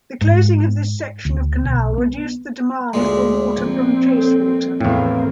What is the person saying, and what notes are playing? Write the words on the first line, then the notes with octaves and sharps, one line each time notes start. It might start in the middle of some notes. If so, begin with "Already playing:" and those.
The closing of this section of canal reduced the demand for water from Chasewater.
G#2
D2
B1
B3
D2 A#2 G#3 E4 G#4 F#5
A#1 C4
A4 A#4 C#5
C4
E2 A2 A#3 C4 G5